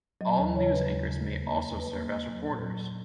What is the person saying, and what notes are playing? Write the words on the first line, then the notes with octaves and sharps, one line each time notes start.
All news anchors may also serve as reporters.
F#3 D#5
D#2 D#5
C#3 C#5
C#3 B4
D#2
C#3
E2
A#3
E2
A#3 B4
A#3
A#3
F#3
A#2
F#3